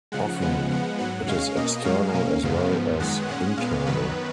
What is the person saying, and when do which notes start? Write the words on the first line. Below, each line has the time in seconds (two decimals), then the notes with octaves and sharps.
Often, it is external as well as internal.
0.12 C#3 F3 G#3 F#5
0.41 C#3 F3 G#3 B3 F#5
0.70 C#3 F3 G#3 B3 F#5
0.98 G#2 F#3 B3 F#5
1.27 C#3 G#3 C#4 F5
1.56 B2 A#3 C#4 D#5
1.84 F#2 F3 G#3 C#4 F5
2.13 B2 A#3 C#4
2.43 F#2 C#3 G#3 B3
2.72 G#2 F3 B3
3.00 F#2 D#3 G#3 B3 F#5
3.28 A#2 G#3 C#4 F#5
3.58 A#2 G#3 B3 F5
3.86 F#2 D#3 F#3 B3 B4